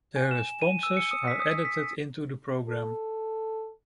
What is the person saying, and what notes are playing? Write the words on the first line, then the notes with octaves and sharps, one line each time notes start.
Their responses are edited into the program.
G#5
E7
D#7
E6
C#7
D#6
B6
D#6
B6
A4